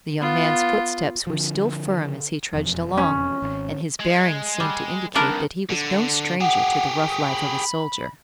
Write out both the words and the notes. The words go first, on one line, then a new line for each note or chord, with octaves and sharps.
The young man's footsteps were still firm as he trudged along, and his bearing seemed to indicate that he was no stranger to the rough life of a soldier.
B3 F4
D3 F3
E1 F2
C#4
G#1
G#3
G3
C2 D#3 D4 A#4 B4
D3
G4 G#4 F#5
D#6
B5